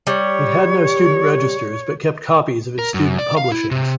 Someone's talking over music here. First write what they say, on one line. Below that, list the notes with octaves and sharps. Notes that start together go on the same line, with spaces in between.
It had no student registers but kept copies of its student publishings.
G3 C#5
A#4
F#2
D5
F5
E4
C3